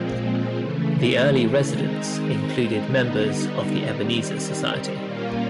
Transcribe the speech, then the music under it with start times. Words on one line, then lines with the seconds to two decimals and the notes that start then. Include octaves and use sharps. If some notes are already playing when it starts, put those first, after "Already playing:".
The early residents included members of the Ebenezer Society.
Already playing: A#2 F3 G#3 C4
0.59 C#3 E3 A3
1.70 D#3 G#3 C4 D#4
2.82 D3 G3 B3 D#4
3.92 D#3 G3 C4
5.05 A#2 G3 A#3 C#4 F4